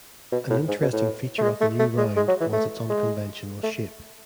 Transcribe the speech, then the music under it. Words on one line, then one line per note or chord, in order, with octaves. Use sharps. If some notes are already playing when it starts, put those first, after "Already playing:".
An interesting feature of the new round was its unconventional shape.
B2
A2
G#2
B2
A2
A3
G#3
A3
A3
G#3
G#3
F#3
E3
A3
G#3
A3